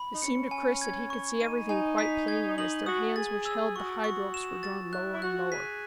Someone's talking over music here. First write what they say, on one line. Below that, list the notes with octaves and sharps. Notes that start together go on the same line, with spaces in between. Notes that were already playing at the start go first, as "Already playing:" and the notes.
It seemed to Chris that he could see everything quite plainly as their hands which held the hide-ropes were drawn lower and lower.
Already playing: B5
D#4
C#4 C#7
G#5
G#6
C#6
D#4 D#7
D#4 G#5
B6
G#6
D#4 F#7
F#4 D#6
G#4 A6
E6
F#4 C#6
C#6
E7
A6
E4 F#6
E4
F#4 F#6
G#4 B6